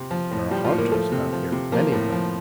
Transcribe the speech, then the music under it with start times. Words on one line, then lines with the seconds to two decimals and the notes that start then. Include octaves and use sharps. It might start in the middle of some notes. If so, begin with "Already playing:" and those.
There are haunters about here,--many of them.
Already playing: C3 C4
0.11 F3
0.31 A2
0.51 F3 G3 G4
0.64 F3 F4
0.72 A2
0.78 A#3 A#4
0.92 F3 A3 A4
1.12 C3
1.33 F3
1.52 C3
1.72 F3 A#3 A#4
1.92 A2
2.12 F3